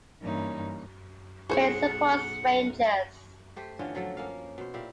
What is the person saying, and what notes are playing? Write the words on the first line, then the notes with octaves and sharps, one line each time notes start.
Payne supports Rangers.
G2 E3 A#3 C#4 D#4
B1 E4 G#4 C5 C#5 F#5
A3 G4 C5
D3 E3 C#4 F4
F3 F#3 A3 A4
A#3 C#4 F5
B2 C5
A#2 E4 G4 F5